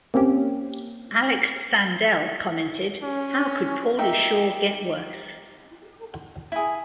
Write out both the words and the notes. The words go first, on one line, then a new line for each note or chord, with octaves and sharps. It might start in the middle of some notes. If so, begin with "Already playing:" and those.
Alex Sandell commented How could Pauly Shore get worse?!?
A#3 C4 C#4 G4
C#4
D#4 G4 E5
E4 G#4